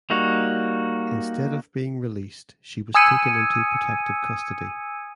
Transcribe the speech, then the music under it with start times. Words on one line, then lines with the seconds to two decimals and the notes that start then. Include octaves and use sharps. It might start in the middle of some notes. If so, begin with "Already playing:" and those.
Instead of being released she was taken into protective custody.
0.10 G3 A#3 D#4 F#4
2.94 G#5 D#6 E6 G#6 C#7 D#7